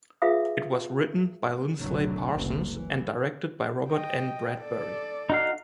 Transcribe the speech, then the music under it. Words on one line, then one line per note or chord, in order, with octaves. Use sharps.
It was written by Lindsley Parsons and directed by Robert N. Bradbury.
F4 G#4 B4 E5 F5 D#6
F1 B1 A2 D3 F#3 A3
F#1 C2
E3
D#5 G5
A4 D5
D#4 F#4 F5